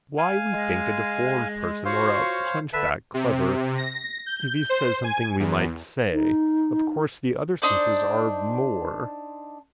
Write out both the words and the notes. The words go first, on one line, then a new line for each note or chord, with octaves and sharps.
Why we think a deformed person or a hunchback clever if he says something we might say. Of course the other senses are more.
F5 G#5
G#3
F4 F#4 C5 C#5 F5 C6
D3 B4 E5 A5
C3
A#6
G6
C5
G#5
E2
D#4
D4 D#4 C5 D5